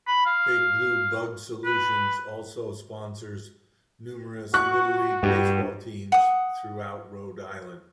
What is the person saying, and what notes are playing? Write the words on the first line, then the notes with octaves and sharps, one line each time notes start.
Big Blue Bug Solutions also sponsors numerous Little League baseball teams throughout Rhode Island.
B5
F5
B4
F#4 C#6 F#6
G2 G4
F#5 D#6